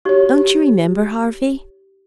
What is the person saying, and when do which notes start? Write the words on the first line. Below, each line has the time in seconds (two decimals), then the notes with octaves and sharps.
Don't you remember, Harvey?
0.05 D#4 F#4 G4 C#5 C#6